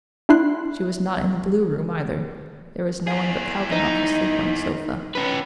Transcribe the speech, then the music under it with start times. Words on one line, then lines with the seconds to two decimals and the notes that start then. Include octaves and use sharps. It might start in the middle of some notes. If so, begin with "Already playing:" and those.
She was not in the blue room either; there was no one but Kalganov asleep on the sofa.
0.29 D4 E4 C6 F#6
3.07 E4 G#4
3.71 D#4
5.15 C#4 B4